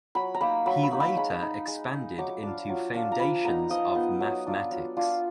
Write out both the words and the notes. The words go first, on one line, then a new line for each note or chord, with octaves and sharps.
He later expanded into foundations of mathematics.
F#3 B5
A#5
A#3 D#4 B5
F#3 B5
B5
A#3 D#4
B5
G#3 B5
D#4
G#3
D#4
F#3 D6
D4 F4
F#3
D4 F4
A#5
F3 B5
B3 D#4 A#5
F3 D#5
B3 D#4
F#3
D4 F4
F#3
D4 F4